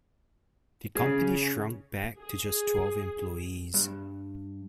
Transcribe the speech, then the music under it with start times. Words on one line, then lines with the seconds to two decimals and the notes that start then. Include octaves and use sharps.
The company shrunk back to just twelve employees.
0.95 C#3 C#4 G#4
2.18 G#4
3.74 G2